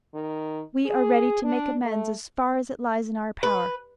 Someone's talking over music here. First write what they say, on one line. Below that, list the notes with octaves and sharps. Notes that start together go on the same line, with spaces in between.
We are ready to make amends as far as it lies in our power.
D#3
G#4
D4
A3
B4